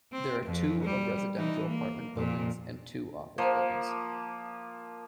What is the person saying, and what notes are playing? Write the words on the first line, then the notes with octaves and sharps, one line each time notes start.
There are two of residential apartment buildings, and two office buildings.
C4
F2
G3
E3 D#4
A#3
F2 A#2
F3 A#3